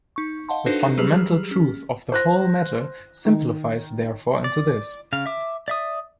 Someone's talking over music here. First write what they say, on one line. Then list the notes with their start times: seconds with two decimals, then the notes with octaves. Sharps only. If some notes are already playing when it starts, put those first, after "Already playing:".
The fundamental truth of the whole matter simplifies therefore into this.
0.16 D#4 C#6
0.49 D#5 F5 F#5 A5 C6
0.66 D4 D#4 F#4 A4 B4 C5
0.98 F#3 G3 G4 G#4 F6
1.51 C#4
2.12 C5 F#6 A#6
3.25 D#3
4.44 D5
5.13 C#3 F5
5.26 E5 D6
5.68 D5 E5 D#6